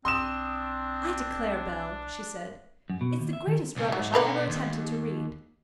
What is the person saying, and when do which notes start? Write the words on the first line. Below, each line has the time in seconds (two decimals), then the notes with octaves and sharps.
"I declare, Bell," she said, "it's the greatest rubbish I ever attempted to read."
0.05 B1 C4 D4 C6 D#6 E7
2.90 F#2
3.01 B2
3.20 D#2
3.33 E5
3.47 D#3
3.76 B1 C#3
3.92 G#2 F#3
4.14 B2 D3 B4 A#5 C6
4.49 D#2